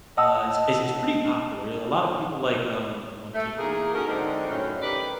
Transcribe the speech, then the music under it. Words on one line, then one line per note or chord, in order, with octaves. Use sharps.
uh, it's it's it's pretty popular a lotta people, like, um, on TikTok have been making videos about this one,
D#5 F#5 A5 D#6 E6
A3
E2 A#3 D#4 G#4
C#4 F#4 A4 A#4
G#2 D3 C4 D4 D#4
F#2 A2 C#3 D#4
D#3 G4 B4 D5